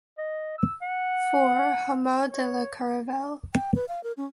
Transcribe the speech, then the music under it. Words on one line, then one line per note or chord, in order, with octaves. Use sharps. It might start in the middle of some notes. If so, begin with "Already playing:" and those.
Four, Hameau de la Caravelle.
D#5
E6
F#5
C#5
G5
B4
F5
A#4
C#4